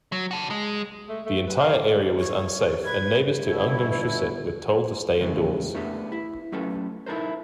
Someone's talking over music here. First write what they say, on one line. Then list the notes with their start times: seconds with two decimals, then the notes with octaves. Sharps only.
The entire area was unsafe and neighbors to Ungdomshuset were told to stay indoors.
0.12 F#3
0.31 F#4 A4
0.50 G#3
1.09 A3
1.26 A3
1.47 B4
1.60 F5
2.19 C#5
2.85 B4 G#6
3.46 G1 B2 E4
5.21 A2 C#3 E3 G#3 A#3
5.74 A3 B3 D4 G4
6.12 E4
6.52 F#3 A3 C#4 G4 A4 B4
7.06 D#4 E4 A4 A#4 C5